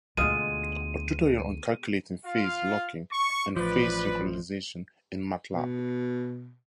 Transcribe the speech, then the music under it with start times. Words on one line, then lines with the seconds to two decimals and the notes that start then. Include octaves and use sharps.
A tutorial on calculating Phase locking and Phase synchronization in Matlab.
0.17 D2 B2 D3 G#3 F4 D#7
2.26 F4 F5
3.12 C#6
3.56 A1 F3 B4 D5
5.55 B2